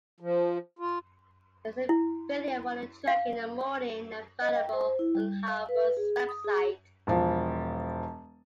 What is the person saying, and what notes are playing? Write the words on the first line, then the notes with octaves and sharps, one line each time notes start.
There is a video for the track "In the Morning" available on Halford's website.
F3
F4
E4
F5
D#5
G5
C5
E4
G3
F5
B4
G#4
D#6
G#4
E1 F3